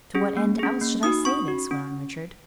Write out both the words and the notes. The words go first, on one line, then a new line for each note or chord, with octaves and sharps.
"To what end, else, should I say this?" went on Richard.
C#4 G#4
A#3
C#4 G#4
A#3
D#4 F#4 D#6
C#4 C#6
F#4
C#4